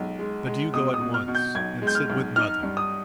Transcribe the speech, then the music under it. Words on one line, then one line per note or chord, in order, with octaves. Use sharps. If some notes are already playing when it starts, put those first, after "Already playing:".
But you go at once and sit with mother.
Already playing: B1 G#3
G#3
G#3
B2 D#6
D#6
B2
F6
B2
G6
B1 G#6
G#3
G6
F6
B1
D#4 F6
G2
D#6